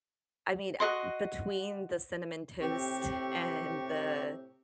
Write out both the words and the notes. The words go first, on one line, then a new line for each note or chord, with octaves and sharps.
I mean, uh, between the cinnamon toast and the
F#4 A4 D#5 C6
A2 C3 C4 G4 C#6